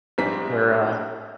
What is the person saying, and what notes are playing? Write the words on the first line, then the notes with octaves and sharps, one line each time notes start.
where, uh
A#1 G#2 G3 C4 A#5 B6